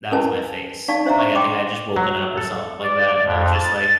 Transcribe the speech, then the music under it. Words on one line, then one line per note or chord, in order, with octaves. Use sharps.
that was my face, like, I think I had just woken up or something like that, and I was just, like,
C#4 E4 A#4 B4 G#5 A5
D#4 D5 F5 A5 C#6
D4 C5 D5 E5 F5 A#5
C#6
G5 C6 D6
F#3
A4
D5
F2
A6